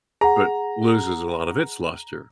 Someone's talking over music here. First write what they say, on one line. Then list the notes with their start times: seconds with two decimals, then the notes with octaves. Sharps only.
but loses a lot of its luster.
0.21 G#4 F#5 A#5